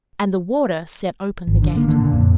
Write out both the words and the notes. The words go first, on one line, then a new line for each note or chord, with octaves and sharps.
And the Warder set open the gate.
G#1
D3
A#3
D3
A#2
F2